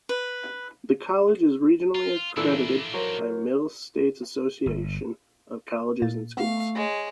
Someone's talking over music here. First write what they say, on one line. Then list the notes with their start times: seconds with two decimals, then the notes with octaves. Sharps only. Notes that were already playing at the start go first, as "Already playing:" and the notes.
The college is regionally accredited by Middle States Association of Colleges and Schools.
0.09 B4
1.95 F4
2.37 A#2 E3 A#3 D4 E4 A4
2.94 F#3 A#4 C5
4.66 G1
6.02 A#2 A#3 A6
6.37 A3 B3 F5
6.75 G#3 C#5 A6